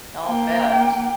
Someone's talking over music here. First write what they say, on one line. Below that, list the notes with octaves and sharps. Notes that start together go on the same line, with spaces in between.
I'll bet.
A#3 G5